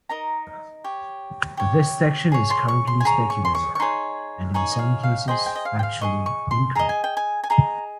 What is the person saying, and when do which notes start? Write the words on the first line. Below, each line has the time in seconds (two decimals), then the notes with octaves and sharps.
This section is currently speculative, and in some cases factually incorrect.
0.09 D#4 A#4 D#5 A#5
0.84 G4 C#5
1.57 G4 C#5
2.32 G#4 C#5
2.50 C6
2.68 C#6
2.87 C6
3.00 G#5
3.05 G#4 C#5 A#5
3.30 C#6
3.45 C6
3.55 C#6
3.75 C#6
3.80 D#4 G#4 C#5 C6
4.54 D#4 G#4 C#5
4.72 D#5
4.79 F5
5.03 F5
5.28 G#4 C5 D#5 G5
5.46 G5
5.55 D#5
5.65 F5
5.79 G5
5.83 F5
6.01 G#4 C5 D#5 C#6
6.26 C#6
6.51 C6
6.75 G#4 D#5 A#5
6.89 G#5
7.04 G5
7.17 G#5
7.44 G#5
7.50 G#4 D#5 A#5